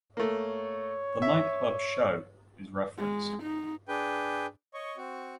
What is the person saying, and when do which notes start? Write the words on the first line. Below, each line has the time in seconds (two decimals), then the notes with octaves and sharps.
The nightclub Show is referenced.
0.17 A3 A#3 C#5
1.22 E5
2.98 G#3
3.43 D#4
3.88 D4 G#4 B4 G5
4.74 C#5 D#5 C#6
4.97 C4 F#4 C#6